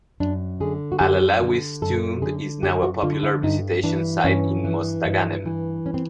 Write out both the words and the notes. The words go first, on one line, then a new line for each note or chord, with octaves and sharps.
Al-Alawi's tomb is now a popular visitation sight in Mostaganem.
F#2 D4
D3 G#4
F#4
F#2 G4
D3
F#2 A4
D3 G#4
F#2 G4
F#4
D3 F4
E4
G2 D#4
E3 D4
G2 C#4
E3
G2
E3
C#4
C4